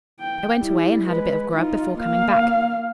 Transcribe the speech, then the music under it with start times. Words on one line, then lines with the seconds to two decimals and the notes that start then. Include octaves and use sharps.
I went away and had a bit of grub before coming back.
0.20 G5
0.59 G3 E4
1.03 G#3 B4
1.52 D#4 F4
2.00 A#3 F5